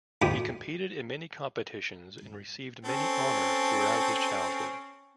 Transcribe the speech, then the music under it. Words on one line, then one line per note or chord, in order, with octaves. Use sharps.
He competed in many competitions and received many honors throughout his childhood.
D2 A2 G4 D#6
C4 C#4 A4